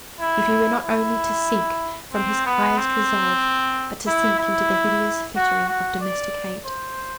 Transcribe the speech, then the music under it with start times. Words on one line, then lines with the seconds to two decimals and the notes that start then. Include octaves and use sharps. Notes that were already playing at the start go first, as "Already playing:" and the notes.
If he were not only to sink from his highest resolve, but to sink into the hideous fettering of domestic hate?
0.20 E4
0.84 E4
2.13 C4
2.46 B3
2.77 C4
4.07 E4
4.39 E4
5.36 F#4
5.68 F#4
6.01 D5
6.64 C5